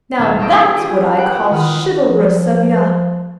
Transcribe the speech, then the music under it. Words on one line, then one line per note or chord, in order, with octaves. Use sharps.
Now that's what I call chivalrous of yah.
E1 E3 B3 D#4 A4 F5
C#6 D#6 E6 G6 A#6 D7
B3 D4 E4 G4 G#4
C#4 E4 F4 G4 G#4 G5
A#4 B4 C#5 F#5 G5 B5
D#3 F#5 B5 D#6 F6
F3